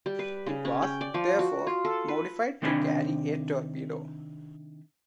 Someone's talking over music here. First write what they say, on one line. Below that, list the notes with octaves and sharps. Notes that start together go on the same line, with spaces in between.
It was therefore modified to carry a torpedo.
G3
B4
C#3
C#4
G5
D5
F3
F#4
F4
A4
B4
C3 D#3 C4 D4 G#5 B5